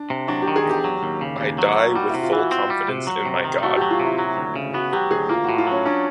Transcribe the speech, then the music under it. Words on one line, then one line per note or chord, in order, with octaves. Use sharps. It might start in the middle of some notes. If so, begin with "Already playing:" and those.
I die with full confidence in my God.
Already playing: D4
C3
F#3 D4
G4
D#3
G#4
E2 G4
F#3
D#2
C#3
D#2
F#3
D#2
G3 F#4
C3 E4
F4
E3
F#4
C4
G3
C3
F#3
C3
D#3
A3 F#4
G4
F#3
F4
C3 E4
F#3
D2
C#3
B3 F#4
F#3 G4
D2 G#4
A#3 F4
A2 F#4
F4
F#3 C#4
C#4 D4